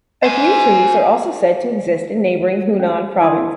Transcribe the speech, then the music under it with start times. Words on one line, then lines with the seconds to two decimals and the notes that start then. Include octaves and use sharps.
A few trees are also said to exist in neighboring Hunan Province.
0.24 C5 G#5
2.80 C#4
3.21 E4 D5 C6 D6 D#6